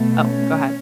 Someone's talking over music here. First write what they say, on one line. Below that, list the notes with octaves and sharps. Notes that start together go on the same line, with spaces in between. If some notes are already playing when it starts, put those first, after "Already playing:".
Oh, go ahead.
Already playing: B2 A3
C#4